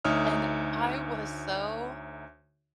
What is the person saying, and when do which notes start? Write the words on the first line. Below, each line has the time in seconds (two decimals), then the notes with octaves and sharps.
and I was so
0.04 D2 D#4 C#5 E5 D#6 F6